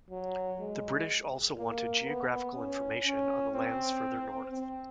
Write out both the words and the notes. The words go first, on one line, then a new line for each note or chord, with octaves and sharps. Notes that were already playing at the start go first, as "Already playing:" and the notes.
The British also wanted geographical information on the lands further north.
F#3
G#3
A#3
B3
C#4
C#4
C4
C4